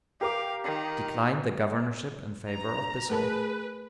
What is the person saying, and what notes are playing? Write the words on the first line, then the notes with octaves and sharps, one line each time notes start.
Declined the governorship in favor of Bissell.
G4 A#4 F5 D6
D#3
G2 A#5
A3 G#4 A#4 B4 A5